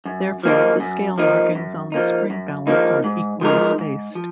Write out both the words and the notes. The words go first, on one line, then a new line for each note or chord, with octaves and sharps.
Therefore, the scale markings on the spring balance are equally spaced.
F#2
F3 A#3 D#4
F#2
F3 A#3 D#4
F#2
F3 A#3 D#4
F#2
F3 A#3 D#4
G#2
F3 G#3 D#4 A#4
G#2
F3